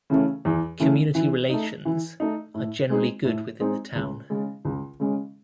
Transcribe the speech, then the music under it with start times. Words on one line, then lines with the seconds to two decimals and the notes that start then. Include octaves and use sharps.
Community relations are generally good within the town.
0.10 C#3 E3 A3 C#4
0.45 E2
0.80 C#3 E3 A3 C#4
1.15 E3
1.49 A3 D#4
1.85 E3
2.20 A3 D#4
2.54 A2
2.90 G#3 C4 D#4 G#4
3.25 A2
3.60 G#3 C4 D#4 G#4
3.95 C#2
4.30 C#3 G#3 C#4
4.65 C#2
5.00 C#3 G#3 C#4